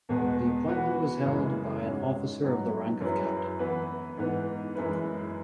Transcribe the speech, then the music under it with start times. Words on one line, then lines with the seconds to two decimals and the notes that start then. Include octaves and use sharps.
The appointment was held by an officer of the rank of Captain.
0.09 E2 B2 G#3 B3
0.67 E3 B3 F#4 B4
1.25 F#2 C#3 E3 G#3 E4
1.84 G#2 G#3 C#4 F#4
2.42 G#2 F#3 B3
3.00 F#2 F#3 E4 G#4 B4
3.59 E3 B3 E4 B4
4.17 G#2 E3 B3
4.75 F#2 E3 G#3 E4 B4